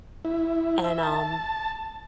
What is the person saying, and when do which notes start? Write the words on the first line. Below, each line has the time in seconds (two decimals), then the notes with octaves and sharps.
And, um,
0.25 E4
0.84 E5
1.03 A5